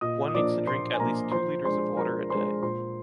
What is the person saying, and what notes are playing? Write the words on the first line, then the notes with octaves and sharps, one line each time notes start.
One needs to drink at least two liters of water a day.
A#2 D#5 D#6
D#6
F3 A#3 D4 D5 D6
A#2 C5 C6
G#5
F3 A#3 D4 A#4 A#5
F3 C5 C6
G#3 D4 C5 C6
F3 A#4 A#5
G#3 D4 C5 C6
A#2 C5 C6